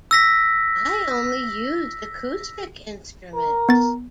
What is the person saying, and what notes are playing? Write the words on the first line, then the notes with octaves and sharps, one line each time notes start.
I only used acoustic instruments...
E6 A#6 B6
A#4
B3 A6